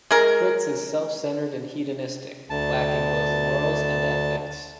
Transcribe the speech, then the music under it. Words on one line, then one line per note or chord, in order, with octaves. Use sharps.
Fritz is self-centered and hedonistic, lacking both morals and ethics.
G#3 A#4
D2 A5